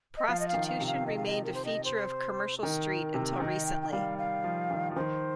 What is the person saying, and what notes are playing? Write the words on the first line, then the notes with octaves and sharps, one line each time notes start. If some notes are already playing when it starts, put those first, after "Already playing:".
Prostitution remained a feature of Commercial Street until recently.
D#5
F3 F5
D#5
F5
D#3
F5
C3
F5
D#5
F5
D#5
A#4
C5
D#5
C5
D#3 A#4
C3
D#3 D#5
G5
G5
G3 F5
F5
F3
D#3
F3
D#3 C5